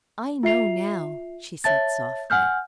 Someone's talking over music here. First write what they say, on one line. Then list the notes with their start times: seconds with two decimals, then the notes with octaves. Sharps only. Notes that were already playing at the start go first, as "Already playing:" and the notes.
"I know now," she said, softly.
0.43 F4 E5 C7 F7
1.64 C#5 E5 A5 A6
2.30 F#5 G#5 F6 G6